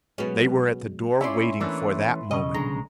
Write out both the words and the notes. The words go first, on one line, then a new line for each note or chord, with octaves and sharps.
They were at the door waiting for that moment.
B2 F#3 G#3 B3 C#4
C#4 E4 F4 D5 E5 B5 C6
E3 A3 A#3 C#4 D4
B1 C#3 D#5
A#1 D3 G#3 A#5